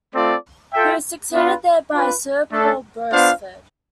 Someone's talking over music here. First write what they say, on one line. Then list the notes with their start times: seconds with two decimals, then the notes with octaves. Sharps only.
He was succeeded there by Sir Paul Beresford.
0.14 A3 C4 F4 A4 D5
0.73 F4 A4 E5 G5
1.33 B3 D4 F4 B4
1.91 D4 F4 B4
2.52 A3 D4 A4
3.11 B3 D4 F4 C5 F5